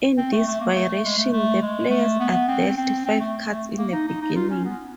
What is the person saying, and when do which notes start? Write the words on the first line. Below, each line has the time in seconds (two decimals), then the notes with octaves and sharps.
In this variation the players are dealt five cards in the beginning.
0.18 C4
0.32 A3
0.47 A3
0.61 A#3
0.75 A3
0.89 A3
1.05 G#3
1.18 A3
1.33 A3
1.62 G#3
1.91 A3
2.20 B3
2.48 C4
2.77 C4
3.06 C4
3.20 A3
3.50 A3
3.78 A#3
3.92 D#4
4.08 D#4
4.22 D#4
4.36 F4
4.50 C#4
4.65 B3